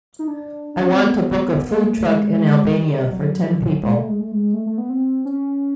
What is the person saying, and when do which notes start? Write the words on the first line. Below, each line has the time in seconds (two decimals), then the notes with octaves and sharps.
I want to book a food truck in Albania for ten people.
0.19 D#4
0.28 D4
0.74 D4
0.82 C#4
0.90 C4
0.99 B3
1.69 A#3
1.95 A3
2.06 G#3
2.76 G3
3.12 F#3
3.83 G#3
3.95 A3
4.07 G#3
4.20 A3
4.32 G#3
4.54 A3
4.66 A3
4.78 B3
4.90 C4
5.25 C#4